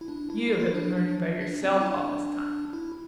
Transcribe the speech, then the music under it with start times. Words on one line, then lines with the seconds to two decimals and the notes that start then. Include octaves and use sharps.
You have been learning by yourself all this time.
0.01 E4
0.08 D4
0.30 E4
0.52 E4
0.60 F4
0.66 E4
0.74 D4
0.96 D4
1.41 D4
1.62 C4
1.80 E4
1.85 D4
2.73 E4